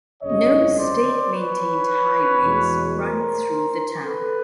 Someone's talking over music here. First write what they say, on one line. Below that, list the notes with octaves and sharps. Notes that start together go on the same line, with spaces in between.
No state maintained highways run through the town.
G1 F2 C#3 C#5 D#5
C5 D5
B4 C#5
E2 B2 G#3
A#4 C5
A4 B4